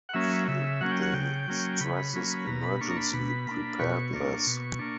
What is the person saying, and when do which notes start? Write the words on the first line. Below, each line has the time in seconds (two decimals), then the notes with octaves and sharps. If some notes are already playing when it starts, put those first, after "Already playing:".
Field Day stresses emergency preparedness.
0.09 F#5
0.14 F#3 A#3 C#4 E5
0.48 C#3 E5
0.81 F#3 A#3 C#4 F#5
0.91 G5
1.02 F#5
1.13 C#3 G5
1.48 F#3 A#3 C#4
1.80 C#3 B5
2.13 F#3 A#3 C#4
2.47 B2 A#5
2.63 B5
2.80 A#3 D4 C#6
2.90 A#5
2.96 B5
3.13 B2 B5
3.46 A#3 D4
3.79 B2 C#6
4.13 A#3 D4
4.47 B2
4.79 A#3 D4